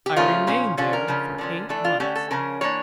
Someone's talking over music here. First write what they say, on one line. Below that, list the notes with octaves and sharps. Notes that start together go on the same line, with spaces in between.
I remained there for eight months.
G4
C#3 F3 A3 C#4 F4
A#2 F3 C#4
D3 F3 C#4 F4
A#4
C#3 F3 C#4
D3 F3 C#4
E3 A3 D4 A4
F4
D3 A3 C#4 G4
A4
C#3 F3 C#4 A#4
E3 A#3 D4 C#5